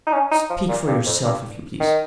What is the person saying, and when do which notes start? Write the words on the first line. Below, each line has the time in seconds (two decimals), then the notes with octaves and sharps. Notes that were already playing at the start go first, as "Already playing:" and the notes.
Speak for yourself, if you please.
0.07 D#4
0.13 C#4
0.31 D#4
0.50 F3
0.69 A#2
0.87 G2
1.06 F2
1.25 G2
1.80 D#3